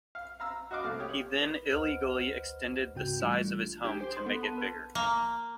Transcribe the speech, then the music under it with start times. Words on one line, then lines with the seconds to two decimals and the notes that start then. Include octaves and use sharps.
He then illegally extended the size of his home to make it bigger.
0.15 F5
0.40 F5 A#5 E6
0.71 F#4 D#5 F5 D6
0.84 C2 A3 F5
0.99 G4 C#5 D#6
1.39 A#4 B4
1.73 D2 B4 C5 D#5 F#5 F6
2.95 G#2 C#3 C4 F#4 G5 G6
3.20 E3 G3 A3 D4 F4
3.84 D4 G4
4.01 C5
4.13 C6 D#6
4.26 B3 A4
4.43 A5
4.58 B4
4.95 A#3